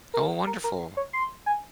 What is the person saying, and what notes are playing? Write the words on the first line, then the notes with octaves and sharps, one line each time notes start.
Oh, wonderful.
A#4
A#4
A#4
C#5
C6
G#5